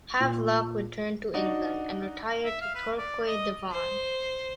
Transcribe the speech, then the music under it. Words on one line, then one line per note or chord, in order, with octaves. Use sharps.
Havelock returned to England, and retired to Torquay, Devon.
A#2
D4 D#4 F#4
E5
F5
B4
D5
D#5
C5